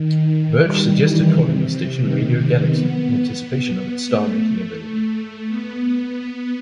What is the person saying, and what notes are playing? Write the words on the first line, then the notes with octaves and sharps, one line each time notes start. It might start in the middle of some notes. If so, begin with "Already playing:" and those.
Birch suggested calling the station Radio Galaxy, in anticipation of its star-making ability.
Already playing: D#3
G3
E3
C3
D#3
B3
A3
B3
B3